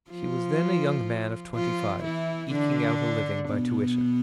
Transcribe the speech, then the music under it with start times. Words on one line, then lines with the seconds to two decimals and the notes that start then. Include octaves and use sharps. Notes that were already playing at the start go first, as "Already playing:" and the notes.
He was then a young man of twenty-five, eking out a living by tuition.
0.11 F3 F4
1.55 F3 F4
2.04 E3 E4
2.52 D3 D4
3.49 B2 B3